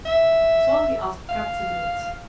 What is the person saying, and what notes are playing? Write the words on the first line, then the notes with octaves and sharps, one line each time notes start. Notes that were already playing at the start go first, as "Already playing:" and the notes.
So he asked Kat to do it.
E5
F5